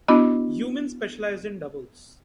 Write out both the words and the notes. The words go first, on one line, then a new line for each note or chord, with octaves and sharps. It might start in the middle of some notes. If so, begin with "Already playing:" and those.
Yumin specialised in doubles.
B3 D4 E4 F#4 D#5